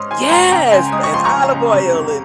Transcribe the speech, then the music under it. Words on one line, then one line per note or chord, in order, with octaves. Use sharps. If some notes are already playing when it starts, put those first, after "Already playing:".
Yes! And Olive Oyl and
Already playing: G#2 G#3 C#4 C6 D#6 F6
D#3 G#5 C6
C6
G#2 G5 A#5
C#3 G5 A#5
C#2 G#5 C6
G#3 D#6
C#6
F3 C6
A#5 C#6
C#3
C#2
C3
F2